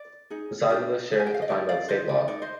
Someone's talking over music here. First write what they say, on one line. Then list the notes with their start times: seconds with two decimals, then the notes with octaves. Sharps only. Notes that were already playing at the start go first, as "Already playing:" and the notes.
The size of this share is defined by the state law.
Already playing: D5
0.30 D#4 G#4
0.70 D4 G4 A#4 D5
1.10 D#4 G#4
1.20 G#5
1.27 G5
1.34 F5
1.42 D#5
1.49 D#4 G4 A#4 D5
1.69 D5 F5
1.88 D#4 G#4 C5 D#5
2.09 D5
2.28 D#4 A#4 D5
2.42 C5 D#5